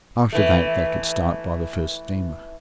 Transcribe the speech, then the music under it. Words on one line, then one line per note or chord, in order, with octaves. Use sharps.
After that they could start by the first steamer.
E3 A3